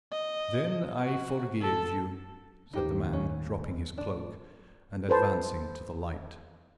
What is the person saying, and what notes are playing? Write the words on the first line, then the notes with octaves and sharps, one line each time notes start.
"Then I forgive you," said the man, dropping his cloak, and advancing to the light.
D#5
F#4
A4 A5
D#2 A2 D#4 G4 C5
C#4
A2 D4
A4 B4 C5 A5